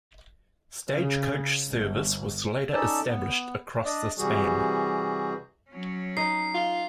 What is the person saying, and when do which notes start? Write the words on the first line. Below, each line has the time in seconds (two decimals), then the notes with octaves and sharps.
Stagecoach service was later established across the span.
0.92 C#3
1.69 G1
2.73 C#4 D#4 A4 D5 A5
3.07 B3
3.84 D4 D5 D#5
4.18 C3 E3 G3 F#4 G#4
5.70 F#3 C#4
6.17 D#4 C7
6.54 F4